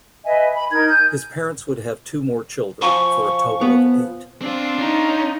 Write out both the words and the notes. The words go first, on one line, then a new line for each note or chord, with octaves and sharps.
His parents would have two more children, for a total of eight.
B4 D#5 E5 G#5
B5
D#4 A#4 G#6
G#5 G6
F3 G#5 B5 C#6
B3
C4 D4 F4
C#4 D#4